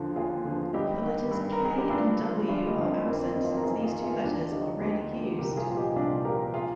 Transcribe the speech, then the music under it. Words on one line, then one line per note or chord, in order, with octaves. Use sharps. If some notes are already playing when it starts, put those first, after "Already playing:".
The letters "K" and "W" are absent since these two letters are rarely used.
Already playing: D#2 D3 F3
D#2 F4 G#4
D3 F3
G2 D#4 G4
D#3
G2
A#4
D#3 G#4
G4
G2 D4 F4
D3 F3
G2 D4 F4
D#4 G4
D3 F3 F4
C4 D#4
F2 A#3 D4
C4
D#3 C4 D#4
F4
C4 D#4
A#4
F2 F4 G#4
F4 G#4
D#3
F4 G#4
D2 D4 F4
D3 F3 D#4 G4
D2 D#4 G4
D3 F3
C2 G4 A#4
A#4
F4 G#4
A#2 F3
D#4 G4
C2 D4 F4
A#2 F3 G4 A#4
F4 G#4